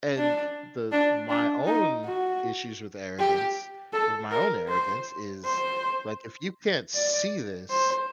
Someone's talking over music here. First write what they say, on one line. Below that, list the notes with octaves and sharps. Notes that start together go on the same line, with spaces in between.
and, uh, the my own issues with arrogance with my own arrogance is, like, if you can't see this,
D4
D4
D4
D#4
F#4
G4
A4
A#4
C5
C5
D5
C5